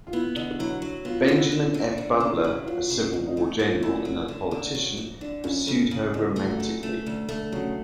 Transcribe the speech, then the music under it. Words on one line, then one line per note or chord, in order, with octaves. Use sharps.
Benjamin F. Butler, a Civil War general and a politician, pursued her romantically.
F4
B3 E4
D3 D#4
F#3 E4
F#3
B3 F4
F4
D3
E4
D3
D3
D2
C#3 C#4
D4
D#4
F#3 E4
D2 F4
C#3
D2
D#4
A3 E4
A3 F4
D3 E4
F#3
D3
D3
F#3
F2
D3 D4
F2 C#4
C#3 A3
C#3
D2 G#3
G3
A3
F#3
C#3
A3
D2
A3
C#3 F#3